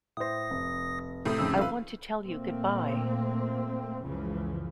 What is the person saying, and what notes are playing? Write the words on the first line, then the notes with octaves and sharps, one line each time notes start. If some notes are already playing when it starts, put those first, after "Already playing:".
I want to tell you good-bye.
A2 C5 D#6 A#6
F1
A2 C3 D#3 D#4 A4 D#6
F2 C#3 E6
F4 A4 B4
A#2 A3 A#3 C4
C#2 F#2 C#3 E3 F3